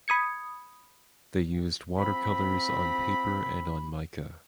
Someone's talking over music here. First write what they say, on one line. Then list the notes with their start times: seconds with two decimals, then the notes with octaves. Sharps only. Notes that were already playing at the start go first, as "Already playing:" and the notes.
They used watercolours on paper and on mica.
0.08 B5 D#6 G#6 C#7
1.98 F3 C4 B5